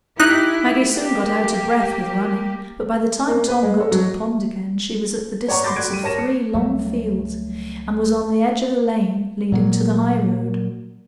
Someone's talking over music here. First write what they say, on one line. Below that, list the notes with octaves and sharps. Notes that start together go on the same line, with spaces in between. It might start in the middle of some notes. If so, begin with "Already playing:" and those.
Maggie soon got out of breath with running, but by the time Tom got to the pond again she was at the distance of three long fields, and was on the edge of the lane leading to the highroad.
D#4 E4 G4 F#6
A#3 G4
A#3
B4
G#3
A4
F#3
C#5 D5 F#5 A#5 C#6
B5 C6 D6 G6 A6 A#6
F#4 D5 F#6 G#6 D7
G3 D#7
A#4 C#5 A5 A#6 E7
C#7
C#2 F#3 G3 A3
A#2 F#3 A#3